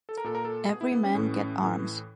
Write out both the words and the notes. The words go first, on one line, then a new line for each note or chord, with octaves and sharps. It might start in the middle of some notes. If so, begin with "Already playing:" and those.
Every man get arms.
A4
A#4
A#2 A4
A#4
A4
B2 G#4
E4
B3
C#4
A2 E3
A2 E3